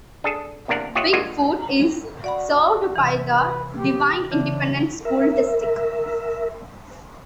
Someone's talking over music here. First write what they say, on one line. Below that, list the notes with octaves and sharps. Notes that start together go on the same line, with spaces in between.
Bigfoot is served by the Devine Independent School District.
D4 G#4 A4
E2 C3 A#3 D4 A#4 F#5
F4 G4 C#5 D#5 E5 F#5
D3 G#3 A#3 F4 F#4
F#4 D5 F#5 B5
C3 E3
B4
G4
C#3 E3 D4
A#4 E5